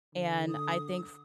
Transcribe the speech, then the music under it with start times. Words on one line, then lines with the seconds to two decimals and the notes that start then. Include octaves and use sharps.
and I think f
0.14 D3
0.49 D#6